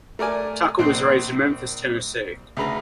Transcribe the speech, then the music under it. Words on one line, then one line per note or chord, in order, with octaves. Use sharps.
Tucker was raised in Memphis, Tennessee.
A3 A#4 D5 G#5
A#1 C4 C5 F#6
D2 C#3 B4 A#5